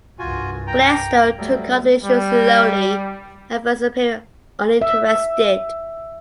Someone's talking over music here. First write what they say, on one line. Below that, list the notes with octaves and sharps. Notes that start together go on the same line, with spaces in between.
Gladstone took up the issue slowly, at first appearing uninterested.
C2 G2 F4 F#4 G#5
G5 A#5
F#3 G3 A3
G3
E5